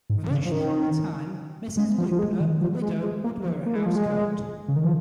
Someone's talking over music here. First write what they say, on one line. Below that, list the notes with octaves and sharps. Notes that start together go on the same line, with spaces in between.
Virtually all the time Mrs. Loopner, a widow, would wear a housecoat.
G#2
C#3
F3
D#3
G#3
F3
F3
G#3
D#3
F3
G#3
G#3
A#3
F3
A#3
G#3
F3
G#3
C#3
D#3
F3